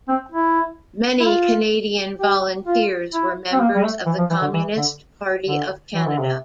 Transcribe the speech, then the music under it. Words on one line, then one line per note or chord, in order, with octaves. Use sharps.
Many Canadian volunteers were members of the Communist Party of Canada.
C4
E4
E4
F4
G4
F4
E4
C4
A#3
G3
A3
E3
F3
E3
D3
E3
D3
D3
E3
D3
C3